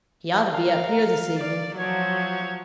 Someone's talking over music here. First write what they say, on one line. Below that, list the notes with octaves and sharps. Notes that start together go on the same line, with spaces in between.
He ought to be up here this evening.
A#4 F5
D5
F3 F#3 C#5